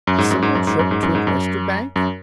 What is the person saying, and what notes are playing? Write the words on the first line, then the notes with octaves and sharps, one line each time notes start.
"A simple trip to an oysterbank?"
F#2
G#2
F#2
G#2
F#2
G#2
F#2
G#2
F#2
G#2
F#2
F#2